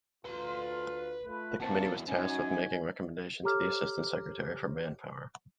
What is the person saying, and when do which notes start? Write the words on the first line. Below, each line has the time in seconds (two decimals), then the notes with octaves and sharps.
The Committee was tasked with making recommendation to the Assistant Secretary for Manpower.
0.25 D2 A3 F4 B4 C6
1.26 A3 F4 B4
1.60 E2 A#3 C4 F#4 A5
2.08 F#2 D#4 F#4 G#5
3.43 G4 A4 C#5 A#5 D6 F6